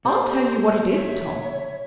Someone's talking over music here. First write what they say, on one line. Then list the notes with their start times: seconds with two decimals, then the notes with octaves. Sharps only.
"I'll tell you what it is, Tom."
0.05 A#2 G4 C5 D5
0.87 C#5 E5